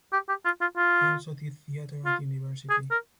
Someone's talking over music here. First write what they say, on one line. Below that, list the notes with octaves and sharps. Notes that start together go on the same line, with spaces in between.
He also did theatre at University.
G4
G4
F4
F4
F4
F4
G#4
A#4